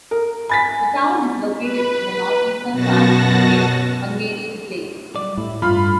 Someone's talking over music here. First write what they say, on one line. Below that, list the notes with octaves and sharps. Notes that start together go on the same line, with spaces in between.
The town is located in the northeastern part of the Great Hungarian Plain.
A#4
G#5 B5 A6 B6
B4
F#2 B2 F#4 A5 A#6
F#3 G3 D5
A2 E4
E2 G2 F4 B5